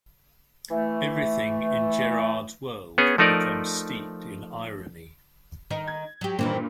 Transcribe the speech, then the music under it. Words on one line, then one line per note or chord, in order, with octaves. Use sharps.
Everything in Gerard's world becomes steeped in irony.
E3 A3
B3 C#4 G#4
F3 A3 D#4 A#4 D5
D#3 D#4 A#4
G#6
F#3 G4
G2 A#2 D#3 E3 C4